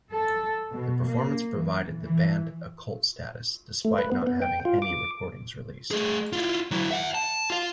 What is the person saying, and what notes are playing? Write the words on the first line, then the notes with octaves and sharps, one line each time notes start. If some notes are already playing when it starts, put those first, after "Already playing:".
The performance provided the band a cult status, despite not having any recordings released.
A4
B2
A#3
E3
E3
A3
B4
B3
B3
G5
F4
D6
A3 G#4
E4 F4
F#3 E4
E5 F#5
A5
F4 F5